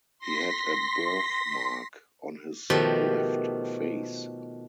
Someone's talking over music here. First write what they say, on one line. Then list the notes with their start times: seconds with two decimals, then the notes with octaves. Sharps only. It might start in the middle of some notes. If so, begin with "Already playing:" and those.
He had a birthmark on his left face.
0.19 C6 A#6 B6
2.70 B2 D#3 F3 A3 G4